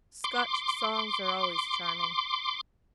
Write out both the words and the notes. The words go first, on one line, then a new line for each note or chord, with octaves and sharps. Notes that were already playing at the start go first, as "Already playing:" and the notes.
Scotch songs are always charming.'
C6 D6